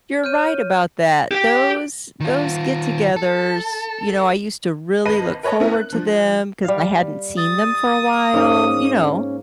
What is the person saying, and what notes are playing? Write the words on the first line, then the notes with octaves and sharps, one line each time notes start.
You're right about that. Those those get-togethers, you know, I used to really look forward to them, 'cause I hadn't seen them for a while, you know?
C#5 F6 G6 D#7
G4 G5
D#3 F4
A4
G#1 B4 D#5 A5 A#6 D#7
A#4 B4 C#5 D#5 A5
B3 C#4 E4 A#4 E5
F#6
F3 D4
G3 F5
D#6 A6
G#2 A#3 C#4